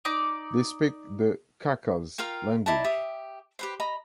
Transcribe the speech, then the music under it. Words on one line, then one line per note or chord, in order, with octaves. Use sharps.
They speak the Khakas language.
D#4 D5 D6
F4 A#4 F5 G5
D#4 E4 D5 A5
G4 E5 D#6
G4 B4 C5
D#5 A#5 B5